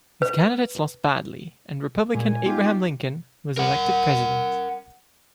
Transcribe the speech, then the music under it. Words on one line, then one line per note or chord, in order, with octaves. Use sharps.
His candidates lost badly, and Republican Abraham Lincoln was elected president.
B4
A#2 G#3 G#5
B3 D#4 F4 G4
A#4 F#5